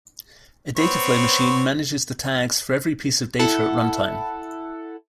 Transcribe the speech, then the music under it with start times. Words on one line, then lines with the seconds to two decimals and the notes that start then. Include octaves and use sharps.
A dataflow machine manages the tags for every piece of data at runtime.
0.77 B3 C4 C#5
3.39 E4 A4 F#5